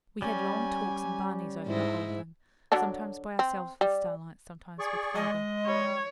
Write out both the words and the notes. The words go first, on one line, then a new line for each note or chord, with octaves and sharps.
We had long talks and barneys over the whole thing--sometimes by ourselves with Starlight, sometimes with father.
G3 C#4 G#5
G#2 E4 C5 D#5
D3 F#3 D4
C4
G3
G#4 D5 C#6
G#3 D#5
G3 C#5